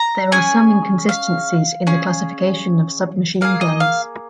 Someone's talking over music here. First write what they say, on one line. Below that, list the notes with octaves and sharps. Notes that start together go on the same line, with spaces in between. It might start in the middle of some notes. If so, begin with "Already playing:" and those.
There are some inconsistencies in the classification of submachine guns.
Already playing: A#5
C#4 G#4 G#5
F5
C#4 G#4
A#3 F4 G#4 F5
D#5
F5